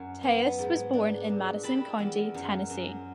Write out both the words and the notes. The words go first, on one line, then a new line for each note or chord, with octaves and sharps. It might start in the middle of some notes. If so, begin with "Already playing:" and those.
Theus was born in Madison County, Tennessee.
Already playing: F#2
B3
G#2
D4
A#2
G3 A5 B5
E2
F#2
F#2